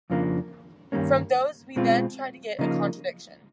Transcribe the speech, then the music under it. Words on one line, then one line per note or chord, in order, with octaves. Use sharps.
From those we then try to get a contradiction.
F2 C#3 F3 A#3 D4
G2 D#3 G3 A#3 C#4
B2 G#3 C4 F4
C#3 F3 A#3 D#4